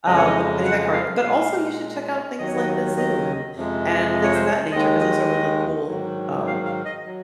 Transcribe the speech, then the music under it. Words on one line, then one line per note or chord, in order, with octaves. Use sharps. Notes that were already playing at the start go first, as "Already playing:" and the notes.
um, Pennypack car but also you should check out things like the zoo and and things of that nature 'cause those are really cool, um,
F2 C#3 F3 G#3 D#5
C#5
D#5
F#5
F5
A#2 G#3 F5
D#2 D#3 F#3 D#5
C#5
D#5
D#5
F2 C3 F3 G#3
D#5
C#5
C5
C#5
D#2 D#3 G#3 D#5
D#5
G#2 D#3 F#3
F5
F5
D#5
F#3